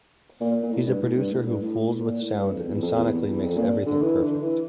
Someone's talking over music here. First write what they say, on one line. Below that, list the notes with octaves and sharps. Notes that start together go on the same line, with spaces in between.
He's a producer who fools with sound and sonically makes everything perfect.
A#2
A#2
A2
G2
A2
G2
A2
G2
A2
A2
A#2
A2
G2
F2
E2
F2
E2
E2
E2
F2
A#2
D3
E3
D3
E3